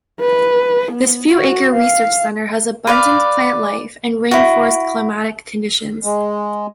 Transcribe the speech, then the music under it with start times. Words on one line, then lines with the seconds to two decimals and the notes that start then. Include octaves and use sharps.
This few acre research center has abundant plant life and rain forest climatic conditions.
0.21 B4
0.92 B3
1.31 F#4
1.74 F5
2.87 B4 D5 F5
4.31 E4 F#4
6.04 G#3